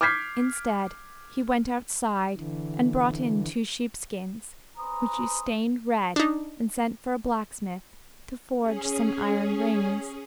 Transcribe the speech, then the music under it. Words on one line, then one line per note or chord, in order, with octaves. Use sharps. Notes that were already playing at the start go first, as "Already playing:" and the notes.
Instead, he went outside and brought in two sheepskins, which he stained red and sent for a blacksmith to forge some iron rings.
D6 F6 G6 G#6 B6 C7
D3 E3
C#4 B4 C5 A#5 D#6
D4 D#4
C#4 G#4